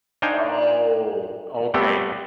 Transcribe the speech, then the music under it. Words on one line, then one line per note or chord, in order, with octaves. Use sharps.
Oh, okay.
D4 D#4 C5 F5 G5 G#5
G3 A3 B3 C4 G4 A4